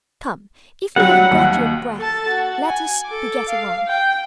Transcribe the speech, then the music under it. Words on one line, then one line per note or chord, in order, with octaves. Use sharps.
Come, if you have got your breath, let us be getting on.
F#3 G3 F#5
D#2
A4 A5
F#4
G#5
A4 D6
F5
G5